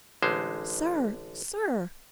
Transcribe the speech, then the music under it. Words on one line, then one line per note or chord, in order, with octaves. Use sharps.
"Sir! sir!"
A1 D3 G#3 C5